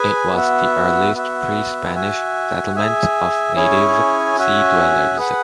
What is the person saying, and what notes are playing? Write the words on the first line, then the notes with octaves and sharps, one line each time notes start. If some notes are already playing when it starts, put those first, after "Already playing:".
It was the earliest pre-Spanish settlement of native sea dwellers.
Already playing: G#4 B4 G#5
B3 F#4 E5
B3 F#4 E5
F#4 E5 G#5
G#4 E5 G#5
C#4 E4 G#4 C#5 G#5
C#4 F#4 E5 G#5
G#4 B4 F#5